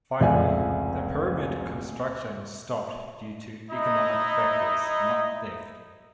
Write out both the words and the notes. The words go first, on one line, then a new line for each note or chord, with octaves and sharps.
Finally, the pyramid construction was stopped due to economic factors, not theft.
F1 C#2 D5 E5 G#5
D#4 E4 D#5